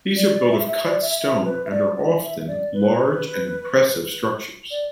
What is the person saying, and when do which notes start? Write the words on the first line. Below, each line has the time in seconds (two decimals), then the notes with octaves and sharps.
These are built of cut stone and are often large and impressive structures.
0.16 D5
0.33 D5
0.50 E5
0.68 E5
0.85 D5
1.02 E5
1.19 E5
1.44 B4
1.66 E5
1.70 D5
1.96 D5
2.22 E5
2.47 D5
2.73 B4
4.71 D5